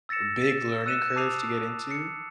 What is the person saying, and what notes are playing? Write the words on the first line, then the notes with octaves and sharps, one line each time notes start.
a big learning curve to get into
E6 A6 A#6 C#7 E7
A6 E7
E6 F#6 C#7 D#7 E7
A5 D6 D#6 C7 D#7 F7
C7 C#7